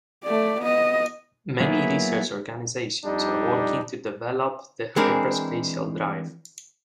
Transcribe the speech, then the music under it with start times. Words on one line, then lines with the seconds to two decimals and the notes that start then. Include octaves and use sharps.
Many research organizations are working to develop the hyperspatial drive.
0.24 A3 D5
0.61 B3 D#5
1.60 F#3 A#3 B3 E4 G#4
3.04 F2 G3 D4 D#4
4.96 E3 G#3 C4 D4 G#4 A#4